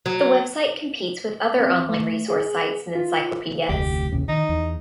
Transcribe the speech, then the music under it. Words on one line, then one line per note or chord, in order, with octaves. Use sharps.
The website competes with other online resource sites and encyclopedias.
F#3
C4
A3
G#4
F4
F1 D2 G4
A#1 E2 C#3
D#3 D#4
E2